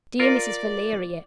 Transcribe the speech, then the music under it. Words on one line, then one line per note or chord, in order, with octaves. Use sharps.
Dear Mrs. Valeria!
F4 A#4 D5